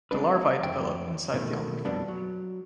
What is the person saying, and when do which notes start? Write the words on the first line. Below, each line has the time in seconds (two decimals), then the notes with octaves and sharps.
The larvae develop inside the almond fruit.
0.11 G#3 C4 D4 B4
0.63 F2 G5
1.34 B2 D#3 A3
1.85 F2 B2 G3 B3 D4
2.08 F#3